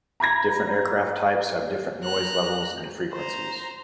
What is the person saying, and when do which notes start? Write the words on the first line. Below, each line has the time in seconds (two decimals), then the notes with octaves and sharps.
Different aircraft types have different noise levels and frequencies.
0.20 A#5 B5 G#6 A#6
2.04 A#5 F#6
3.13 C5 A#5